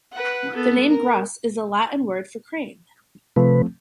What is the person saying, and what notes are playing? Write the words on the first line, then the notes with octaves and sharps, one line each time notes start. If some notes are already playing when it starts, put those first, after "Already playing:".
The name "Grus" is the Latin word for "crane".
B4 F#5
B3 A4
A#4
C3 F3 A3 C4 B4